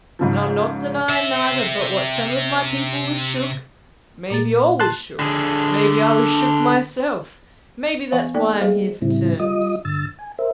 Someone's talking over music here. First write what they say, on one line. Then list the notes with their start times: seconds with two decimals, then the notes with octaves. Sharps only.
And I'll not deny neither but what some of my people was shook--maybe all was shook; maybe I was shook myself; maybe that's why I'm here for terms.
0.19 G#2 C#3 F3
1.09 C3 E5
4.30 A#2 A#3 A6
4.80 A5 C6 F#6
5.20 D3 G#4
8.12 E3 B3 C5 F5
8.34 A#3 D#4 A4 D5 G5
8.61 G3 G#4 C5 D#5 F5
9.02 A2 C#3 G3 C4 E4
9.40 G3 F4 D#5 D#6
9.85 G2 D3 E6 A6
10.19 G#5
10.39 A#4 C5 E5